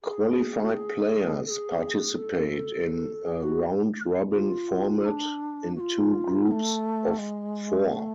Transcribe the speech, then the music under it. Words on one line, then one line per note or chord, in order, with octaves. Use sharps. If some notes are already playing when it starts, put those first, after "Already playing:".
Qualified players participate in a round-robin format in two groups of four.
G#4
F#4
G#4
A4
G#4
A4
G#4
F#4
F4
D4
F#4
F4
B3
A3
G#3
A3